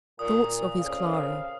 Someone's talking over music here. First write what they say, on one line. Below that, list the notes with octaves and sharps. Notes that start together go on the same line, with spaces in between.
Thoughts of His Clara.
A#2 D#6
F2 A#2 C#3 F5